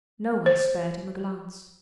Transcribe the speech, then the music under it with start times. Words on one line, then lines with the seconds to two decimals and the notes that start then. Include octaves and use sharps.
No one spared him a glance.
0.46 C5